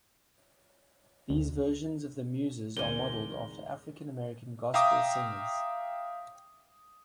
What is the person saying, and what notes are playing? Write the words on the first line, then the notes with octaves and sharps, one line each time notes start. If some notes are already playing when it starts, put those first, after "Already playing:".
These versions of the Muses are modeled after African American Gospel singers.
D2
D2 G#2 D3 E3 A#4 D5 G#5 G7
E5 F5 G5 A#5 D6 D#6